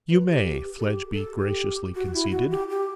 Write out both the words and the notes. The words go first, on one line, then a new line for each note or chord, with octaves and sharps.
'You may,' Fledgeby graciously conceded.
B4
G4
A4
G4
A4
G4
F#4
E4
F#4
G4
G4